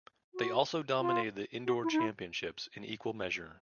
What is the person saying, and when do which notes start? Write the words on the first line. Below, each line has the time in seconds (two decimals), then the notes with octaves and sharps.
They also dominated the indoor championships in equal measure.
0.33 F#4
1.00 F4
1.65 F#4
1.82 E4
1.91 D#4
1.99 E4